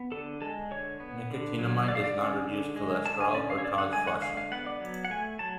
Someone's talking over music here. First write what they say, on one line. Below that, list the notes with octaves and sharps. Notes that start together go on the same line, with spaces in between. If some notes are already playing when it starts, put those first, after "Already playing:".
Nicotinamide does not reduce cholesterol or cause flushing.
Already playing: B3
D3 A4
G#3 A4
D3 C#5
B3
D3
F#3
D3 D5
F5
D5
C#4
D3
G#3
D3 A5
G#5
C#4 D5
F5
C#5
D3 D5
F#5
G#3 G#5
F#5
D3 F5
F5
B3 F#5
D5
F#3
F#5
A3 G#5
F#3 A5